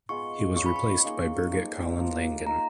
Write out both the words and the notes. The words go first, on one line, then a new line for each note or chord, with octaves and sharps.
He was replaced by Birgit Collin-Langen.
G#3 B3 F4 G#4 C#6
C#4 F4 B4 D#5 C#6
B5
C#6
A#3 D#4 G#4
F3 A#3 D#4
F3 A#3 F4
A#3 D#4 A#4 D#5 A#5